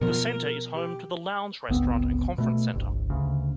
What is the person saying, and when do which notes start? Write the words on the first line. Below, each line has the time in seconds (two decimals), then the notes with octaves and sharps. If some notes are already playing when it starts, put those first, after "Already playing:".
The centre is home to "The Lounge Restaurant and Conference Centre".
0.01 B2 F3 A#4
0.75 G4
1.69 G1 C#2 B3 C4
2.38 B2 A3
2.74 G1 C2
3.10 D2 C#3